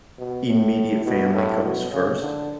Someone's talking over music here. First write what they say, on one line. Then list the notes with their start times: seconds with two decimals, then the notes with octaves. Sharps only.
immediate family comes first.
0.18 B2
0.46 A2
1.05 B2
1.34 A2
1.63 B2
1.91 C#3
2.20 D3